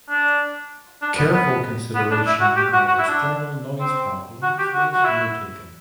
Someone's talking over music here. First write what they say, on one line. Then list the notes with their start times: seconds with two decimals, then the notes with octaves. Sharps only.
Careful consideration of external noise problems was undertaken.
0.10 D4
1.02 D4
1.18 B3
1.33 B3
1.95 B3
2.11 D4
2.27 E4
2.41 F#4
2.56 G4
2.73 F#4
2.88 F#4
2.99 E4
3.08 D4
3.80 C4
4.43 F#4
4.58 G4
4.74 F#4
4.94 F#4
5.05 E4